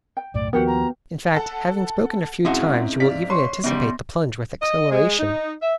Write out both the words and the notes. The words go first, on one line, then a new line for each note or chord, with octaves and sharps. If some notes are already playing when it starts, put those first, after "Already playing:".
In fact, having spoken a few times you will even anticipate the plunge with exhilaration.
G5
B1 F#2 A2 D5
D#2 F3 B3 F#4 G4 A#4 F#5
A#5
A4 F#5 A5
G#2 F#3 G#3 C4 C#4 E4 F#4 E5
D5 F5 B6
C#5 C6 C#6
G#2 C#3 G3 B3 A#6
D#5
G#3
D#4
E5